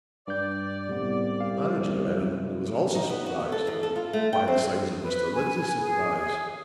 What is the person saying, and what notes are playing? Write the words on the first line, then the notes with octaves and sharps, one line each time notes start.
The manager, evidently, was also surprised--by the signs of Mr. Lindsey's surprise.
G2 D5 G6
C2 A2 G3 B3
G4 F5
D#4
B3
F#4
B3
A4
E2
A4
F4
A3
G5
C4
G#4
B4
G#5
G#4